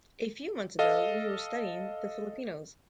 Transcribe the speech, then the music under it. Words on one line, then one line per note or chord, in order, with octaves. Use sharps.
A few months ago we were studying the Filipinos.
A4 D#5 F5